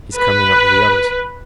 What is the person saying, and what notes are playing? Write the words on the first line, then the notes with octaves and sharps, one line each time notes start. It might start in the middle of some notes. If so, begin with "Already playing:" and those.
He is coming up with the others.
B4